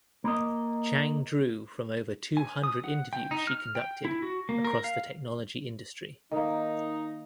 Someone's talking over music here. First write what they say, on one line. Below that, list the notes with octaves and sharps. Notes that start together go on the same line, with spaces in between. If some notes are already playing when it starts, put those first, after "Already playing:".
Chang drew from over two hundred interviews she conducted across the technology industry.
A#3 D#5
G#5
D#6
F#5
G5
D#4
F6
G5
E4
F#4
A#3
A#4
F5
D#3 A#3 D#4